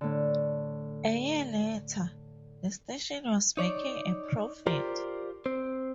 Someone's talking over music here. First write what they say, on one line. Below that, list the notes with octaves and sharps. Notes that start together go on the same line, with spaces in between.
A year later, the station was making a profit.
A2 D3
D#4 C#5 D5
F4 G4 A#4 C5 D5
C4 C5